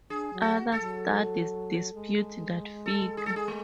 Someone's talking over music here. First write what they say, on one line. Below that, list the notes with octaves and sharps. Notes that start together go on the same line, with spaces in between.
Other studies dispute that figure.
D4 G#4
F#3
F#4
A4
F#3
G#3
A4
G#4
A4
G#4
A3